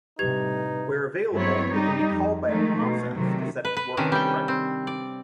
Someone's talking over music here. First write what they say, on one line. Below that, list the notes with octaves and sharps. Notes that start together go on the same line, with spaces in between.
Where available, it can be called by a process to set its working directory.
A2 C3 G3 D#4 G4 B4 G#6 F7
G2 F#3 B3 C4 E4 C#5
G3 D#4
F2
D#3 F3 G#3 A3 D#4
B2
C3 D#3 F#3 A3
B4
B4
C3 D#3 C#4 D4
G3 G5
C4
D5